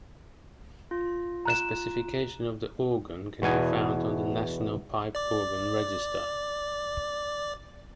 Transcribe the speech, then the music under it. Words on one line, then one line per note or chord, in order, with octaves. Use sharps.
A specification of the organ can be found on the National Pipe Organ Register.
F4
A#5 F#6 E7
E2 B2 G#5
D5 D6